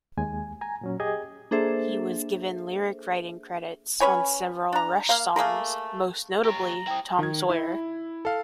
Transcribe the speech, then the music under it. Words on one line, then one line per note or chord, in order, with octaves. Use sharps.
He was given lyric-writing credits on several Rush songs, most notably "Tom Sawyer".
D#2 G#3 G#5
G#5 A#5
A#2 F#3 C#4
G4 G#4 D#5 G#6
A#3 D4 G#4 A4 C5 E5
C#4 B4 C#5 G#5
D4 A#5
A#3 F5
A3 A#3 G#4 A#4
G4 C#5 A#5
C4 E4 G5 D#6
D#3 G#6
E4
A4 F5